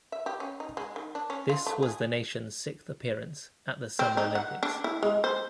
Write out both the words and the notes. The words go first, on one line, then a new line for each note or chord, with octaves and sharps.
This was the nation's sixth appearance at the Summer Olympics.
E5
G4
C#4
D#4
G#3
D#3
D4
C#4
F4
A3
G#4
C4
D#4
F#5
D4
E4
G#3
C5